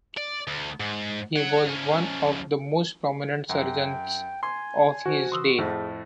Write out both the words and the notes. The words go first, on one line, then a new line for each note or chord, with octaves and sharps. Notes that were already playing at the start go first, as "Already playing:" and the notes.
He was one of the most prominent surgeons of his day.
D5
D2
G#2
C#5 F#5
F3 C#4
F#2 G5
G#5 C6
F3 F#4
E3 C6 D#6 E6
F2 A2 A3 G#4